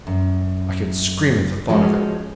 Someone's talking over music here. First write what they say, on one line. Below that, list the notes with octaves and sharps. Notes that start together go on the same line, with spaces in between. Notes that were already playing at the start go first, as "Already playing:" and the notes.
I could scream at the thought of it.
F#2
F3 G#3 C#4 F#4